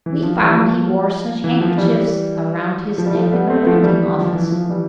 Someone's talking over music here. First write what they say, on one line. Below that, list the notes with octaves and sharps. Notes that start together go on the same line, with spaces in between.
We found he wore such handkerchiefs around his neck in the printing office.
E3
F3
E3 G3
F3
E3
F3
E3 G3
F3
G3
F3 A3
G3 B3
A3 C4
B3
F3 A3
E3 G3
F3
E3
F3
E3 G3